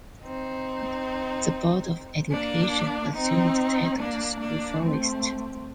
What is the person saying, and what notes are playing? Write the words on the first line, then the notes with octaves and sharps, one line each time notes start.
The board of education assumed title to school forest.
C4 D#4
A#3 D4
C4 D#4
A#3 D4
A#3 D4
A3 C4